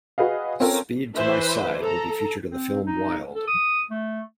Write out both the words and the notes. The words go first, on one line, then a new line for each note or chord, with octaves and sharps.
"Speed To My Side" will be featured in the film Wild.
F#4 G#4 B4 D#5 F5
C4 C#4 F4 A4 A#4 C#5
E3 B4 C5 E5
A4 A#5
C4
D#4
A4
D#6
A3